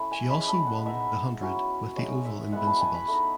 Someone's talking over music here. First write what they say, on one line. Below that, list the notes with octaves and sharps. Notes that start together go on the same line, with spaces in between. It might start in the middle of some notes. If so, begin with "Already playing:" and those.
She also won The Hundred with the Oval Invincibles.
Already playing: A3 C#4 E4 E5
G#5
G#3 C#4 E4 B5
A5
F#5
G#3 B3 D#4 E5
F#3 C#4 E4
G#3 D#4 C#5
E5
G#3 B3 E4 F#5
A5
G#5
B5
A3 D#4